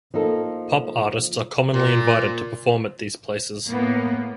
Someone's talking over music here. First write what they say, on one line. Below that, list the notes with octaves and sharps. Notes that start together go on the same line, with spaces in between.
Pop artists are commonly invited to perform at these places.
F3 A#3 D#4 A4
A#2
A2 A#3 B3